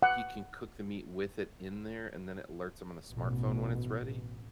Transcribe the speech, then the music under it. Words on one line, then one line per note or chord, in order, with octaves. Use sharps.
he can cook the meat with it in there, and then it alerts him on the smartphone when it's ready?
F#5
A1 B2